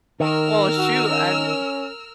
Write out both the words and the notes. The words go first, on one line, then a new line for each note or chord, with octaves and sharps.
Well, shoot. I'm
D#3 A#4 E6 F6
F#4
C#4